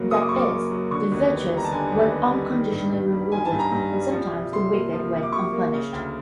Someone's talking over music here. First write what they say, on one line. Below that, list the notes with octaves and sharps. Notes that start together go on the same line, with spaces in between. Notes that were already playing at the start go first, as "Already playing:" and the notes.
That is, the virtuous weren't unconditionally rewarded, and sometimes the wicked went unpunished.
Already playing: F#2 C#3 F#3 A#3
C#3 D#6
D6
F#2 C#6
D6
A#3
F#3
D3 C#6
D#2
B3
G3
A#5
A5
D3 G#5
D#2
B3
G3
D#3
G2
G2
G3
D#3 G#5
A5
G2
A#5
G2 A#5
G3
F3
C3
C3 C6
A#3
F3
C3
D6
C3 C#6
A#3
C#3
D2